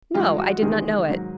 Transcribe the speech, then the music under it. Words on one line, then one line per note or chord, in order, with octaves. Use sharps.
"No, I did not know it."
G2 E3 G#3 F4
F#4
E2 C3 D#3 G#3 G#4
G#2 D#3 F#3